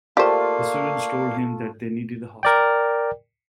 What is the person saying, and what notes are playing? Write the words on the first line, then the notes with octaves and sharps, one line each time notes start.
The students told him that they needed a hostel.
A3 A#3 F4 G4 A#4 C5 D5 F5
A#4 D5 G5